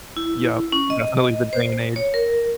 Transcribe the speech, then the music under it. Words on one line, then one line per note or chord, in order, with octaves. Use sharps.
Yep, definitely the day and age.
E4
C#4
D#5
C5
C#5
A#4